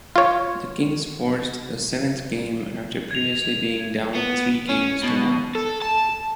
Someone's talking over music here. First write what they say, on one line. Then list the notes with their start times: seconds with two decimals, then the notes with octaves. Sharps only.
The Kings forced the seventh game after previously being down three games to one.
0.16 F4 C#5
3.11 G#6 F7
4.15 B3
4.69 C#4
5.03 B2
5.55 A4
5.82 A5